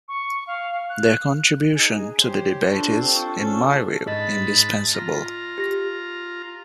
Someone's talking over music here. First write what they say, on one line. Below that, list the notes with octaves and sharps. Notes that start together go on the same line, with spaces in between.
Their contribution to the debate is, in my view, indispensable.
C#6
F5
F#6
D#4 G#4 G#5
G4 C5 C#5
D4 F4 A4 C5 C#6
C4
C#4 D4 A4
G#2 D#5 A5 B5
F4 A#5
G4 A#6